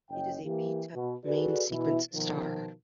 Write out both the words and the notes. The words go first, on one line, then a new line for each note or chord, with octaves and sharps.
It is a B-type main-sequence star.
F#1 C#4 D#5 G5
E3 A#3 G4
B2
F#4 G#4 A4 B4 D5
B2 E3 B3 E4
B2 D#3 F3